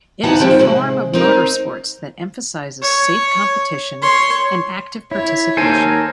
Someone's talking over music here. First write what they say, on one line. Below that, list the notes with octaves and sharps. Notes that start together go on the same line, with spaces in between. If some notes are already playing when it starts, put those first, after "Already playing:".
It is a form of motorsports that emphasizes safe competition and active participation.
D2 E3 D#4 F#4 F#5 A5
D#3 F3 G3 C4
C3 G#3
C4 D#4 A#4
C#5
C#5 C6
E4 C#5
D#2 A4 A#4 C5 G#5